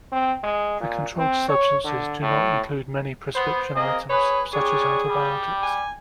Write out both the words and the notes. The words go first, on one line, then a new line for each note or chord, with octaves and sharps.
The controlled substances do not include many prescription items such as antibiotics.
C4
G#3
A#2
C4
C#5
D3
A2
B3 C5
A#3 C4 G#4 D#5
G#4 B4 C#5
G3 D4 G#4 C#5
G3
G#5